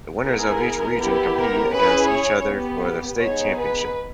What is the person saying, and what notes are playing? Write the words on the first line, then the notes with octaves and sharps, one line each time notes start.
The winners of each region compete against each other for the state championship.
B3 E4 G#4 A#4
B3 E4 G4
A#4
C#4 E4 G#4 B4
C#5
B3 G4
B3 D#4 G#4 C#5
B4